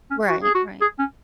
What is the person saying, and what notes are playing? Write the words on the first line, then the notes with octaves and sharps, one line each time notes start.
Right, right.
C#4
F#4
G#4
F#4
G#4
C#4